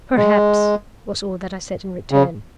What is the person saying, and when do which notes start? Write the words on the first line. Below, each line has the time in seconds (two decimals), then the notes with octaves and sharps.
"Perhaps!" was all that I said in return.
0.16 G#3
2.11 C#3